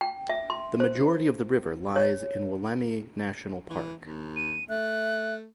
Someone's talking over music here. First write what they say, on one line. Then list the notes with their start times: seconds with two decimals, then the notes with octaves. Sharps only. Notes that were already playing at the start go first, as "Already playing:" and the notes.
The majority of the river lies in Wollemi National Park.
0.01 G5
0.29 E5
0.50 C6
0.80 C5
1.96 C#5
3.70 E3
4.04 D#2
4.36 D#7
4.69 A3 E5 F#6